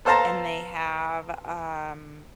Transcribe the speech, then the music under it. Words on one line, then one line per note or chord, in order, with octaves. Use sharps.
And they have, um
B3 A4 C5 F5 A5 A#5